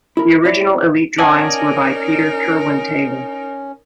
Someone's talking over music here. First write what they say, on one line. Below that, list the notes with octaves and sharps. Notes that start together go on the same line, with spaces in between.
The original Elite drawings were by Peter Kirwan-Taylor.
E4 A#4
E4 C#5 D5
C#4 D#4 A#4 D5 D#5 F#5 G#5 A5